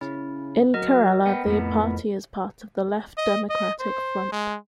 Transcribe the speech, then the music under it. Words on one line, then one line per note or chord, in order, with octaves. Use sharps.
In Kerala, the party is part of the Left Democratic Front.
C#3 E4
F#3 A#4 D#5
B3 G5
F2 A2 B3
D#5
D#5
C5
G#3